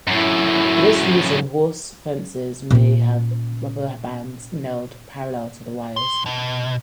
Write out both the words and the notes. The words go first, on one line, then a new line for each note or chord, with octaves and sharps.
For this reason horse fences may have rubber bands nailed parallel to the wires.
F#2 A2 E4
A#2 C#4
B1 C6
B2